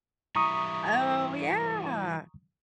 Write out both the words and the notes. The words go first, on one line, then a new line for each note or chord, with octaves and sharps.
Oh, yeah.
E3 G3 E4 A#5 C#6 D#6